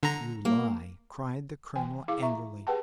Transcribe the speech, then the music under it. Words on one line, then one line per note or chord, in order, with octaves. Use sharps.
"You lie!" cried the colonel, angrily.
D3 A#5
A#3
E3 G5 G#5
E4 G#4 F5 D6
E5 A#5 C#6
G4 G#4 B4 F#5 G5 A5